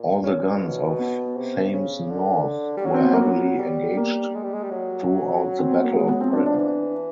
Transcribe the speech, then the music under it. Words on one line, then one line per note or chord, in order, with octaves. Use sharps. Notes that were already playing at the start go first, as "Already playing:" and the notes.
All the guns of Thames North were heavily engaged throughout the Battle of Britain.
Already playing: A#2
C#4
B2
B3
C3
C#3 C#4
D3
G3
F#3 C#4
C4
B3
A#3
B3
G3
A#3
G#3
G3
G#3
G3
F#3
C#4
C4
B3
A#3
G#3
B3
F3 C4
E3 D4
F#3
D4
F3
E3 D4